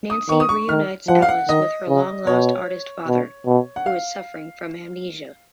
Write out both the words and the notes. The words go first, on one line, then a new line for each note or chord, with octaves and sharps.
Nancy reunites Alice with her long-lost artist father, who is suffering from amnesia.
D#6
D#3 C#6
D#6
C#6
D#3 F6
F3 F#5
F5
F#5
D#3 D#5
C#3
B2 C#5
B2
B2
F#5
F5